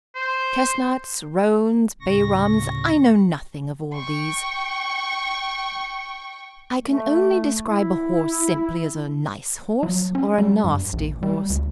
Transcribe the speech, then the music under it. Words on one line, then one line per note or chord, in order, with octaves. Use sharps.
Chestnuts, roans, bay rums--I know nothing of all these; I can only describe a horse simply as a nice horse or a nasty horse.
C5
D2 A2 C#3 C#6 A#6
G5 C#6
A3
E4
F#3
C#4
G3
G2
A#1
G3
D2